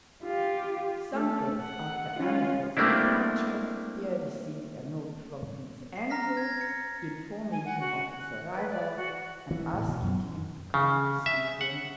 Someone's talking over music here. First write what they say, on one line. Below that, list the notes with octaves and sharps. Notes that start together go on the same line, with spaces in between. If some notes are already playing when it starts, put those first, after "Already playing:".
Some days after Anatole's departure Pierre received a note from Prince Andrew, informing him of his arrival and asking him to come to see him.
F4 G4
A3 A4
F#5
C#4 F4
G3 A3 A#3 C4 D4 E4
C7
A#5 F6 A#6 B6
G#6 A#6
A6 C#7
G#5
F#5
F#4
F#6
B4
D5
F#4
E3
A2
B2
F#2
C#3
E5
F#5